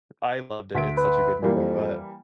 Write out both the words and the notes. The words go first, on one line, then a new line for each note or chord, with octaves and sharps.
I loved it, it's such a good movie, but
D2 B6 D7
B4
A#2 E3 G3 A#3
F2